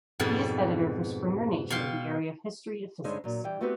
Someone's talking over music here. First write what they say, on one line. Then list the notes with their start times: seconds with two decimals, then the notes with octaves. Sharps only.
He is editor for Springer Nature in the area of History of Physics.
0.20 F2 G#2 B2 G3
1.70 B2 F5 G5 C6
3.04 G2 D3 G#3 C#4 D#4 C5
3.24 A#2 F#3
3.44 E3 G3 G5
3.61 A3 B3 C4 F#4 G4 B4